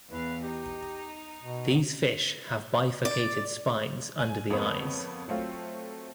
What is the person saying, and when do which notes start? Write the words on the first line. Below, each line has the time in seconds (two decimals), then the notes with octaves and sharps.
These fish have bifurcated spines under the eyes.
0.10 E2 B4 F5
0.42 D#4 G4
1.43 B2
3.05 D5
4.19 G#5
4.50 F2 A#3 B3 C#5 B5 D#6
5.28 F#3 A3 C4 F4